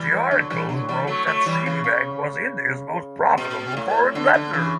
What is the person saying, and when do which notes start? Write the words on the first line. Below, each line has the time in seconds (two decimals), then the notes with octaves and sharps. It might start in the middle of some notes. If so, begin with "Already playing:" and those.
The articles wrote that Citibank was "India's most profitable foreign lender".
Already playing: E3 G3
0.31 D3 F#3
0.50 E3 G3
0.69 D3 F#3
0.89 E3 G3
1.07 F#3 A3
1.27 F#3 A3
1.46 E3 G3
1.66 C#3 E3
1.84 C#3
3.38 B2
3.77 A2
4.15 D3
4.34 D3
4.53 C#3 E3